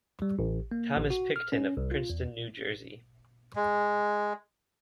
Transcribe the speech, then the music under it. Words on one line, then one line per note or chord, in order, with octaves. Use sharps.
Thomas Picton of Princeton, New Jersey.
G3
A1
A#3
A1
F#4
F6
C#4
C2
F4
E2
G#3